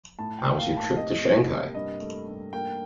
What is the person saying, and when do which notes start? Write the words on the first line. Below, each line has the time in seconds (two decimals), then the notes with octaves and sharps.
How was your trip to Shanghai?
0.19 A2 A5
0.39 G5
0.45 A#3
0.58 F5
0.71 A2
0.77 A5
0.96 C3 D#5
1.23 A#3
1.49 C3
1.75 G2 D#5
2.01 A3
2.27 G2
2.53 A#3 G5